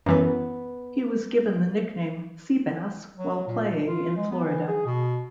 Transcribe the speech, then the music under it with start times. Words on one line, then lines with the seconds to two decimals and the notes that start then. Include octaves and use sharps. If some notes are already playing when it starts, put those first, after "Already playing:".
He was given the nickname "Sea-bass" while playing in Florida.
0.06 F#2 E3 B3 B4
3.17 F#3
3.47 A#2
3.87 F4
4.16 G#3
4.31 B3
4.45 E3
4.68 G#4
4.86 B2